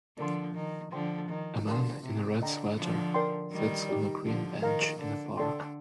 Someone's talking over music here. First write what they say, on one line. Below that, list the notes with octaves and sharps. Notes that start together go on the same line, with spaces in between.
A man in a red sweater sits on a green bench in a park.
D3 F3 A#4 D5 A5 C6
D#3
D3 F3 C5 G5 C6
D#3
D3 G4 A#4 F5 A5 C6
C3
D3 A4 D#5 G5 A#5
D3 F3
A#4 D5 G5 C6
D#3 G3
D#4 G4 D5
D3 F3
D#3 A#4 F5 A#5
D3
D3 A4 D5 G5 C6